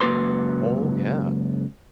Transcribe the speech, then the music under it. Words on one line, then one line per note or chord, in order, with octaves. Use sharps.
Oh, yeah.
C#2 F#2 A#3 F#4 B4 C6